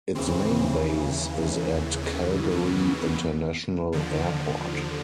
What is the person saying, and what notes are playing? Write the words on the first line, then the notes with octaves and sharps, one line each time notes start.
Its main base is at Calgary International Airport.
D#2 C#3 E3 C4
B3
B3
D#2 D3 F3